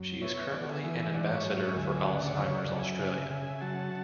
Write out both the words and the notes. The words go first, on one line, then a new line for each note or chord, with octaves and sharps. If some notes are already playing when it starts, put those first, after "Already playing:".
She is currently an ambassador for Alzheimer's Australia.
Already playing: F#2
B3 C#5 E5
B3 D5 F#5
E5 G#5
E3 E5 G#5
E5 G#5
G#2 D5 F#5
C#5 E5
F#3
C#5 E5
D2 E5 G#5
C#3 D5 F#5
F#2 C#5 E5
D5 F#5
F#2
E5 G#5
C#3 E5 G#5
C#3 E5 G#5
F#3 F#5 A5